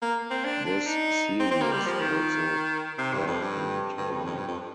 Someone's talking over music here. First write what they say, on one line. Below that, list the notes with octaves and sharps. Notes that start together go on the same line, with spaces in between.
This series also aired in Taiwan.
A#3
C4
D4
D4
D#4
C4
C4
A#3
G3
F3
D#3
C3
G2
F2
G2
G2
F2
F2
G2
F2